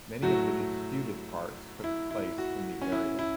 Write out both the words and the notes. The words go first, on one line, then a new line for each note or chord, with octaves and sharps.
Many of the disputed parts took place in the area.
A2 F#3 A3 F#4
E4
E4
F#4
C#4
E4
E4